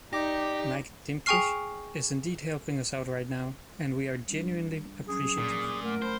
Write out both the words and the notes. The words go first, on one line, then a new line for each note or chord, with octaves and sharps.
Mike Dimkich is indeed helping us out right now, and we are genuinely appreciative.
D#4 G4 D5 D6 A#6
G#4 G5 G#5 C#6 F6 C7
G3 D4
F#3 C#4 G#4
A#2
A3 A#4 F#5
C5 A5 B5